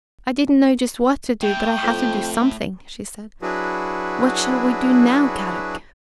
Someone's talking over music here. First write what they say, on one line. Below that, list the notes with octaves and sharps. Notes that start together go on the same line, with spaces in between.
"I didn't know just what to do, but I had to do something," she said. "What shall we do now, Kadok?"
A2 G5
F2
F#3 D4 E4 F#4 G#4 B4